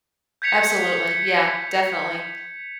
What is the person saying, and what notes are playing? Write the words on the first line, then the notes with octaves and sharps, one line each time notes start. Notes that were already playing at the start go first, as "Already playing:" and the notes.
Absolutely, yeah, definitely.
G6 G#6 B6 C#7 F7